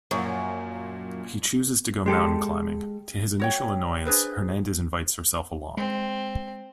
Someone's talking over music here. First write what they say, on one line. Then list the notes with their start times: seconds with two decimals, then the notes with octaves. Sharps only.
He chooses to go mountain climbing; to his initial annoyance, Hernandez invites herself along.
0.11 F#2 A#2 F3 A#3
2.06 G#3 G4 A4
3.40 F#4 C#5 G5
4.05 D4 G#4 B4 C5
5.77 G#3 C4